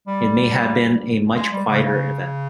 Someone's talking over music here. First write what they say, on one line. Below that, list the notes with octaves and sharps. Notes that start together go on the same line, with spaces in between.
It may have been a much quieter event.
G3
G#3
G3
C#3
C#3